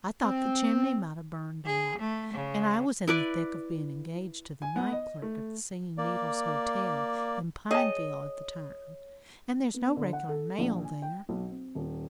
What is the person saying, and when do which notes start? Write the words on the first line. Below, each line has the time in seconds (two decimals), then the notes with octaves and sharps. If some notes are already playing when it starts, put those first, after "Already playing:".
I thought the chimney might 'a' burned out--an' I was in the thick of bein' engaged to the night clerk at the Singin' Needles Hotel at Pineville at the time--an' there's no regular mail there.
0.24 C4
1.66 G#4
2.00 A3
2.34 C#3
3.07 E4 B4 D5
4.62 G#5
4.76 B3
4.92 D#5
5.22 A3
5.98 A#3 D5
7.71 G#4 C#5 D#5 A5
9.74 B3
9.97 D3
10.13 F#5
10.29 A4
10.59 A#1
10.84 G#5
11.02 G5
11.29 B1
11.49 C4
11.75 D#1